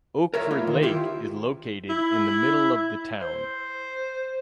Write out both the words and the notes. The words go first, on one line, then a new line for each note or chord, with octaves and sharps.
Oakford Lake is located in the middle of the town.
A#4 C#5 E5
A#3 E4 F4 A#4
D#3
E4 F4 G4
E4
C5